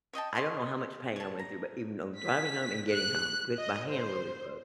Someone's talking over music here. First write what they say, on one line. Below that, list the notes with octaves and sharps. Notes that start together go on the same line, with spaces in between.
I don't know how much pain I went through, but even though, I'm driving home and getting home, 'cause my hand literally froze.
C#5 D#5 G5 A5
D#5 C6 C#6
C#5 A5
A#5
B6
F#6
D#5
C5